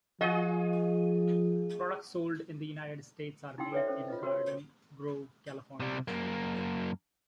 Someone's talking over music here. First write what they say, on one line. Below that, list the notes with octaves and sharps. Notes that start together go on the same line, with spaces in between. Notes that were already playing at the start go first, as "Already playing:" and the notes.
Products sold in the United States are made in Garden Grove, California.
F3 F4 G#4 D#5
D#4 E4 F#4 G5 C6 E6
A4 B4 C#5 D5 E5
C#4 A4 C5
F4 B4 D#5
F#4 A#4 C5 C#5
C#5
C3 G3
F#2 A#3